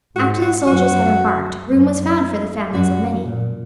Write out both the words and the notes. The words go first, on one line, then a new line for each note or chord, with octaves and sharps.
After the soldiers had embarked, room was found for the families of many.
G#2 F#4
F#4
F#2 F#4
F#2
F#2 F#4
A#2